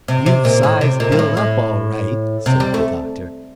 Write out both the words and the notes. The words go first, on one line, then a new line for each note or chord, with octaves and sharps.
"You've sized Bill up all right," said the Doctor.
C3
C3
A#2
A2
C3
A#2
G2
A2
A2
C3
G3
A3